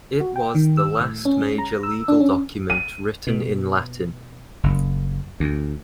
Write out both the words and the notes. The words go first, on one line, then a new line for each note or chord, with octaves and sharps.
It was the last major legal document written in Latin.
F#4
G5
D#3
E6
A2
C#4
G#3
A#5
E6
D4
C#4
D#7
B2
F#1
D2